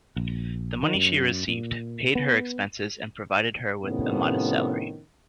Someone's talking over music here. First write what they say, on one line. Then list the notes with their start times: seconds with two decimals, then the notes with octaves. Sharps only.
The money she received paid her expenses and provided her with a modest salary.
0.16 A#1
0.83 D#3
0.95 F#2
1.48 A#2
2.15 B3
3.84 A2 C3 D#3 F3 B3 C#4